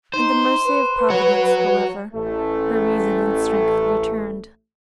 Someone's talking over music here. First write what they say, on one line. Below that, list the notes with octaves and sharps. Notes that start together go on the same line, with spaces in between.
In the mercy of Providence, however, her reason and strength returned.
D#4 C5
B4
F#4 C#5
A1 A3